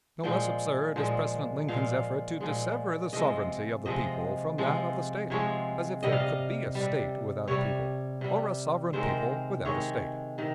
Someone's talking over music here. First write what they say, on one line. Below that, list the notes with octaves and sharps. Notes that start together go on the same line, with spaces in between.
No less absurd is President Lincoln's effort to dissever the sovereignty of the people from that of the State; as if there could be a State without a people, or a sovereign people without a State.
A#2 F3 G#3 G5
A#2 F3 G#3
A#2 F3 G#3 F5
A#2 F3 G#3
C3 F3 G#3 D#5
C3 F3 G#3 D#5
C3 F3 G#3
C3 F3 G#3 C#5
C3 G3 D#5
F5
D#5
G3
C3
C3 G3 C#5
C3 G3
C3 D#3 G#3 C5
A#4
C5
C3 D#3 G#3 C#5
C3 D#3